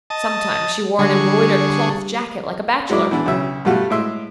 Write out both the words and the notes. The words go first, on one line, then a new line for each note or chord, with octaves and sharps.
Sometimes she wore an embroidered cloth jacket like a bachelor.
D#5 A5
D3 G3 G#4 C#6
F#3 G#3 E4 D5
E3 B3 D4 E4
B1 C#3 E5
G2 B2 G3 A3 F4 F#4
A2 G#3 E5 C6